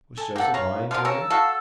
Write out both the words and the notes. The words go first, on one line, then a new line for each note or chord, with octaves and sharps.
Was Joseph lying to him?
A4 G#5
A#3 A4 F#5 G5
C#4 F4 B4 F5 A#5
D3 F3 G#3 A#4 F5
A#3 C#4 A#4 A5 E6
F#4 A4 F5